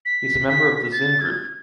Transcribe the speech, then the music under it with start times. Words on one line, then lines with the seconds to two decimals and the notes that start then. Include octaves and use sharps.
He's a member of the Zin group.
0.05 B6
0.49 B6
0.92 A6
1.21 G#6